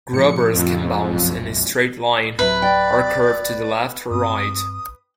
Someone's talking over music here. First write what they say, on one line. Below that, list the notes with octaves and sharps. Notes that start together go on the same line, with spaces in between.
Grubbers can bounce in a straight line, or curve to the left or right.
A2 F3 C#7
F2
F#1 B1
D1 C3 F#3 B4 B5
D5 G5
G2 C4 D#6